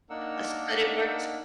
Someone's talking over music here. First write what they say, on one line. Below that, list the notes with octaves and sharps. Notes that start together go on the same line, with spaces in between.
uh, s but it works
A#3 D4 D#4 A#4 F#5 E6